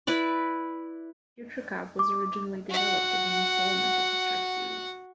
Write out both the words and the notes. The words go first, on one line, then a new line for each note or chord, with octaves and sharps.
"Future Cop" was originally developed as an installment of the "Strike" series.
E4 B4 D5
D6
F#4 F#5